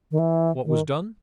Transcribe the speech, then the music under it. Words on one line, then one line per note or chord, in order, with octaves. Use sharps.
What was done?
D#3
E3
D#3